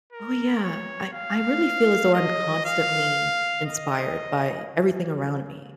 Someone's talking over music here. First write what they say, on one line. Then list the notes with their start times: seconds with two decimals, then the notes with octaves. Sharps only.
Oh, yeah. I I really feel as though I'm constantly inspired by everything around me,
0.13 A#4
0.64 C#5
1.13 F5
2.14 D#5
2.65 F5
3.66 D#5